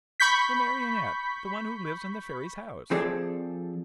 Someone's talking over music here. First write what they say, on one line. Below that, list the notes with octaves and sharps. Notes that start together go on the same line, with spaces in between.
"The Marionette; the one who lives in the Fairy's house."
B5 C#6 G6 B6
F3 C4 G#4 A4 D5